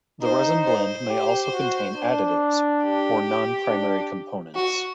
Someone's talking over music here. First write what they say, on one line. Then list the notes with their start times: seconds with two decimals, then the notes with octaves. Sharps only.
The resin blend may also contain additives, or non-primary components.
0.21 D#4 C5
0.65 C5
1.09 G4
1.51 F#4
1.95 D4
2.82 G4
3.68 D4
4.55 F#4